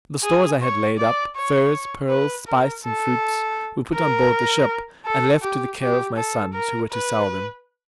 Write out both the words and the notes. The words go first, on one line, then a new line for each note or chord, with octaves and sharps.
The stores I had laid up--furs, pearls, spice, and fruits--were put on board the ship, and left to the care of my sons, who were to sell them.
G#4
C#5
D5
C#5
B4
A#4
A4
A#4
A4
G4
G4
A4
A#4
B4